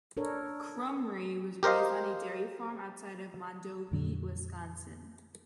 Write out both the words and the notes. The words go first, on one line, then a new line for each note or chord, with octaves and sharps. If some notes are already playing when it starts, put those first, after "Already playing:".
Krumrie was raised on a dairy farm outside of Mondovi, Wisconsin.
D4 A4 A#4 C#5
G4 A#4 C5 D#5 F5
F2 A#2 D3 F#3